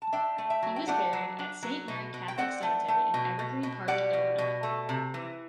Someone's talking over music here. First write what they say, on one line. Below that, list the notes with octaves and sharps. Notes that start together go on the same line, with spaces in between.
He was buried at Saint Mary Catholic Cemetery in Evergreen Park, Illinois.
A5
D4 E5 G5
A3
E5 G5
F#3
G5
A3 D5 F#5
F#3
D4
F#3
B2
B2
G5
C4 D5 F#5
A3
A3
B2
B2
B2
G3 D5 F#5
B2
B2
A3
C3
E3